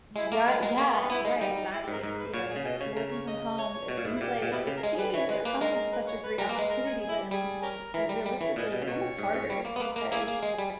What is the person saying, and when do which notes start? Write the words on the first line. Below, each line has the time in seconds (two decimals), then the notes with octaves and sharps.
Ri yeah. Right, exactly. You know, s working from home, it seems like it seems or it sounds like such a great opportunity, but in r like, realistically, it's almost harder, because
0.16 G#3 E4
0.32 A#3 A#4
0.47 G#3 B4
0.63 G#3 A#4
0.78 A#3 G#4
0.93 B3
1.10 B3 E4
1.25 G#3 D#4
1.40 G3 D#4
1.56 D#4
1.72 E4
1.82 G4
1.88 G#2 A#4
2.03 G#2 A#4
2.18 B4
2.34 A#2 C#5
2.49 G#4
2.56 C#3
2.65 B2 D#5
2.80 C#3 C#5
2.96 C#3 A#4
3.11 C#5
3.27 D#5
3.58 C#5
3.74 C#5
3.88 B2 C#5
3.97 A#2
4.05 G#2 E4
4.15 E4
4.20 A#2 G4
4.42 A#2
4.51 B2 B3 E4 G4
4.67 C#3
4.77 A#4
4.83 G#3 G#4
4.99 G3 B4
5.14 E3 C#5
5.29 G#3 B4
5.45 A#3 B4
5.61 G#3 A#4
5.76 A#4
5.92 B4
6.07 C#5
6.23 B4
6.38 G3 A#4
6.49 A#3
6.55 G#3 B4
6.69 A#4
6.86 G#4
7.00 G#4
7.08 E4
7.16 G4
7.31 G3 G#4
7.62 C#4 G4 A#4
7.94 E3 A#4
8.09 G3
8.26 G3
8.40 E3 C#5
8.56 A#2 G#4 B4 D#5
8.72 B2
8.82 C#3
8.88 B2 C#5
9.19 G#2
9.34 G#2
9.50 G3
9.65 A#3
9.76 B3
9.80 A#3 B4
9.96 A#3 A#4
10.11 A#3 C#4 E4 G#4
10.28 A#3
10.43 G#3
10.58 G3